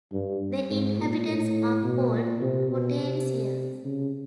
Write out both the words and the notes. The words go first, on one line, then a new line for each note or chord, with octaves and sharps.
The inhabitants are called "Cottevreziens".
G2
G#2
A#2
A2
B2
A#2
C3
B2
C3
C#3